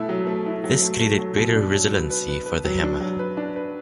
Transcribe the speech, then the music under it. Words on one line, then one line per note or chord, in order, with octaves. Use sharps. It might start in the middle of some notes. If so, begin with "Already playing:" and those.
This created greater resiliency for the hammer.
Already playing: B2 A3 E4
F#3
A3
E4
F#3
A3
A3
F#3
B2
D4
F#3
B4
B4
B4
B4
F#3
D4
F#3
B4
D4
B4